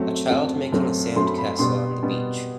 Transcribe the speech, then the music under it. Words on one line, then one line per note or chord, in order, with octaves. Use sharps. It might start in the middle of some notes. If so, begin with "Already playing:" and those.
A child making a sand castle on the beach.
Already playing: F#2 F#3 A3 C4
F#2 F#3 A3 C4
F#2 F#3 A3 C4
F#2 F#3 A3 C4 C6
B5
B5
B2 G3 B3 C6
B2 G3 B3